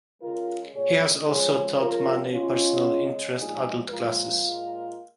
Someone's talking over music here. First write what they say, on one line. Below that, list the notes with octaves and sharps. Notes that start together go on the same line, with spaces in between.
He has also taught many personal interest adult classes.
C#3 G#3 F4 A#4
A#2 G#3 G#4 C#5
C#3 F3 G#3 G#4 C#5
C#3 F3 G#3 F4 A#4
C#3 G#3 C#4 F4
C#3 G#3
A#2 F3 G#3 D#4 G#4
A#2 F3 G#3 F4 A#4
A#2 G#3